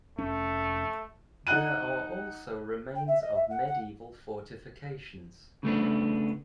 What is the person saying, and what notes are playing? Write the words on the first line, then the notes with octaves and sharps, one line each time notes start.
There are also remains of medieval fortifications.
F1 A3 C#4
D#4 D#5 F#5 F#6 D#7
G5
E5
D#5
E5
F#5
F#5
C#3 A3 B3 D4